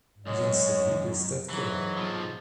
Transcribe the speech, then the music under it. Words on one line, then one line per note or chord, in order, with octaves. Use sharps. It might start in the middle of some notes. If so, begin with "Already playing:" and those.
Yes, it really is that good.
F#2 G#3 C#5
G#2 E3 F#3
B1 F3